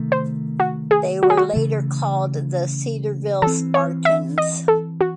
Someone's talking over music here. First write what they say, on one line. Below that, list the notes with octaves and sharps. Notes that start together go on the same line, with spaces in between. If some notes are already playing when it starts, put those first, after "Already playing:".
They were later called the Cedarville Spartans.
Already playing: C3 D#3 A3
C5
F#4
G#4
F#4
G#4
F#4
C#3 E3 A3
E3 C4 A4
C#5
E5
D#5
A4
F#4